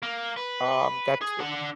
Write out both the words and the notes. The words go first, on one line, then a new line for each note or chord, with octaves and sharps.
Um, that's the
A#3
B4
G#4
D4 F#5